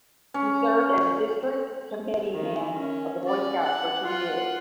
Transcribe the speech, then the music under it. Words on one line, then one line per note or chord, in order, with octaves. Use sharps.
He served as district committeeman of the Boy Scouts for two years.
C#4
D#3
C#4
C#4 D5
F#5
F4 F#5